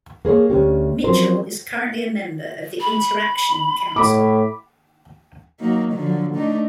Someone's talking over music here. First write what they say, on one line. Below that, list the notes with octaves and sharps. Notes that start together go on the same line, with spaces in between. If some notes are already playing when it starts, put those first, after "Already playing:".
Mitchell is currently a member of the InterAction Council.
A#3 G#4 B4 C#5
D2 C#4 G4
F3 F#3 C4 C#4 A#4 C5
B5
A2 B5 D6
F#3 A#3 D#4
D3 F3 F#3
A3 D4 D#4